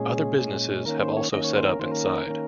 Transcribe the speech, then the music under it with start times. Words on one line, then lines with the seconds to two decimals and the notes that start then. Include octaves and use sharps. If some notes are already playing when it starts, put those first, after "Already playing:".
Other businesses have also set up inside.
Already playing: A#2 G#3 C#4 G#4
0.38 A#2 G#3 C#4
0.86 D#3 A#3 C#4 A#4
1.01 C5
1.17 C#5
1.32 D#3 A#3 C#4 D#5
1.44 C#5
1.56 C5
1.68 A#4
1.79 D#3 A#3 C#4 C5
1.91 A#4
2.27 D#3 A#3 C#4